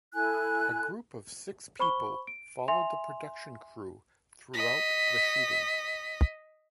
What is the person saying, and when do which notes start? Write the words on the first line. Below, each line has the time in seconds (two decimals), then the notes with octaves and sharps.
A group of six people followed the production crew throughout the shooting.
0.13 E4 A4 G#5 F#6
1.79 C5 B5 C#6 G7
2.27 D7
2.68 E5 G#5 C6 F7
4.54 D#5 B6